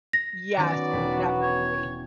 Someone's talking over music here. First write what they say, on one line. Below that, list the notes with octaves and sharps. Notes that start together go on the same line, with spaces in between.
Yes. Definitely.
A#6
D#3 F#3 B3 C#4 F#4 D5
E1 B6
C#5